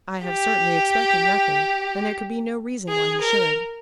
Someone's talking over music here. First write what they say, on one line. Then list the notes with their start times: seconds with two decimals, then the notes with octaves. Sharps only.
"I have certainly expected nothing, and there could be no reason why he should."
0.26 G4
2.89 G#4
3.21 A#4